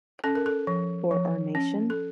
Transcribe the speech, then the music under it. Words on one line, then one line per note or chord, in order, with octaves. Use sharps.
For our nation?
C#4 A4
A#4
A4
F3
F3
C#4
A4